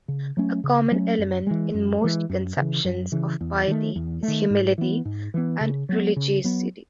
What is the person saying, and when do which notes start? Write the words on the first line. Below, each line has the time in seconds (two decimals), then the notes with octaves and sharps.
A common element in most conceptions of piety is humility and religiosity.
0.08 C#3
0.37 F#3 A3 C#4
0.64 C#3
0.91 F#3 A3 C#4
1.19 F#2
1.47 E3 G#3
1.74 F#2
2.02 E3 G#3
2.29 F#2
2.57 C#3 E3
2.85 F#2
3.12 C#3 E3
3.41 E2
3.68 D#3 A3
3.96 E2
4.23 A3
4.28 D#3
4.50 G#2
4.78 E3 B3
5.05 G#2
5.34 E3 B3
5.61 C#3
5.89 F#3 B3
6.16 C#3
6.44 F#3 B3